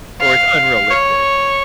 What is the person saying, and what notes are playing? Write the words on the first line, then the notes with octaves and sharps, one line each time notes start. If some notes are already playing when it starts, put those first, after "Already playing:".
Or, it's unrealistic.
F5
C#5